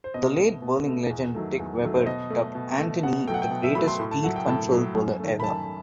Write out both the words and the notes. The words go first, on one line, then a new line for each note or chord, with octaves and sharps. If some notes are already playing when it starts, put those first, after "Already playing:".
The late bowling legend Dick Weber dubbed Anthony the greatest speed-control bowler ever.
C5
B2 D#5
A3
B2
A3
E2
D#3 F#3 A3
E2
D#3 F#3 A3
C5
B2 D#5
A3
B2
A3
B2 F#5
F#3 A3 F#5 G5
G5
B2
E5
F#3 A3 B5
C6
A2
A5
F#3 A3 F#5
G5
A2 A5
F#3 A3
F#2
D#3 A3
B5
F#2 A5